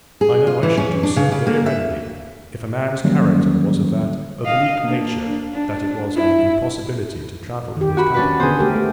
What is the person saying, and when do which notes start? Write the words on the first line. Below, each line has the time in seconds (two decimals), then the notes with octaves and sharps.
I know I should do so very readily, if a man's character was of that oblique nature that it was an impossibility to travel in his company.
0.21 G#4
0.47 F4
0.63 E3
0.77 C#4
1.03 D4
1.16 C#3
1.32 C#3
1.47 A#3
1.66 E5
3.04 D3 D#3 F#3 G3 A#3 C#4
4.45 D#5 F5
4.82 A#3 D4
5.53 D4
6.16 E4
7.77 D#3 G4
7.97 F#4 B5
8.14 C#4 D4 B4
8.40 D3 B3 G#4 C5
8.59 A3 G4 A#4
8.76 A3